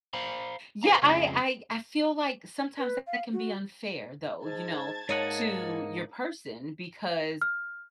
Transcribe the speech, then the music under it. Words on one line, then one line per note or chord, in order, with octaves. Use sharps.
Yeah, I I I feel like sometimes that can be unfair, though, you know, to your person, because,
C5 F5 A#5 B5
B4 C5 D#5 F5 A#5
F2 C#3 F3 G#3
B4
F5
F#4
G#2 A5 G#6 A6
G#2 A#3 D#4 C#5 F#5
F6